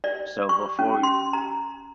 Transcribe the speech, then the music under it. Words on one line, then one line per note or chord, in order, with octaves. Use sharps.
So, before y
D5
C#6
C#4
C6
A#5